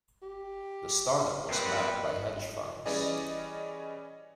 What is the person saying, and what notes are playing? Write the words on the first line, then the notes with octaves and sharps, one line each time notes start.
The startup was backed by hedge funds.
G4
A#2 B3 C4 G4 B4
E3 G3 C#4 G#4 D5 D#5